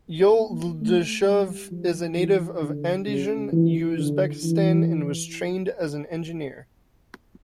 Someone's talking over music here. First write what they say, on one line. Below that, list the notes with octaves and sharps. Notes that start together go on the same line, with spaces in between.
Yo'ldoshev is a native of Andijan, Uzbekistan and was trained as an engineer.
A#3
A3
G3
F3
E3
D3
C#3
E3
D3
E3